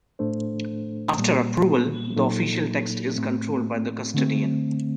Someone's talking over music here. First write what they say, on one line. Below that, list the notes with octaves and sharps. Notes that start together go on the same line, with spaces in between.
After approval, the official text is controlled by the custodian.
A2 A3 D4 A4 C5
A#2 G3 A#3
A#2 F#3 A#3 D#4 A4
A2 A3 C4
D3 A3 C4